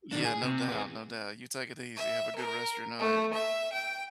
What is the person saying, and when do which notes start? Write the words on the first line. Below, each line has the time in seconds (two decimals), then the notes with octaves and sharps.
Yeah, no doubt, no doubt. You take it easy. Have a good rest of your night.
0.13 D#3 D4
0.25 G#4
0.43 C3
0.68 B3 G#4
1.96 E5
2.37 A#4
2.99 A3
3.32 E5
3.73 G5